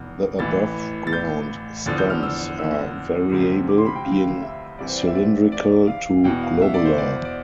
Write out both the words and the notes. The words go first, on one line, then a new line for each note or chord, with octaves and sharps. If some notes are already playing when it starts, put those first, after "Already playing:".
The above-ground stems are variable, being cylindrical to globular.
Already playing: F1 E2 B2
A1 A2 E3 A6
A6
G6
E2 D3 F3 A6
G6
F6
E6
E6
D2 C3 F3
D6
C6
B5
G5
F5
G5
F5
E5
C2 C3 E3 D5
C5
D5
E5
D5
D5
F5
E2 B2 G5
F5
E5
D5
C5
D5
D5